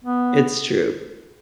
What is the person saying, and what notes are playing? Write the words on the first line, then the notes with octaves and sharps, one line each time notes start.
It's true.
B3